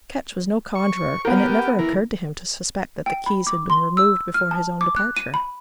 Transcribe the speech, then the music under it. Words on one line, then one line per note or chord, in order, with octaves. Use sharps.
Ketch was no conjuror, and it never occurred to him to suspect that the keys had been removed before his own departure.
C#6
B3 G4 A#4
E3 A#4
G5
B5
D6
C6
E6
F6
A5
D6
F#6
D#7
B5